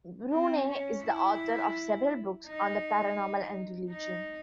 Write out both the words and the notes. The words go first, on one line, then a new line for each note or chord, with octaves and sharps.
Brune is the author of several books on the paranormal and religion.
C4
C#4
E4
D#4
D#4